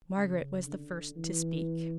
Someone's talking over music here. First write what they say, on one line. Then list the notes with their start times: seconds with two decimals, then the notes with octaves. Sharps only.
Margaret was the first to speak.
0.17 C#3
0.66 D3
1.16 E3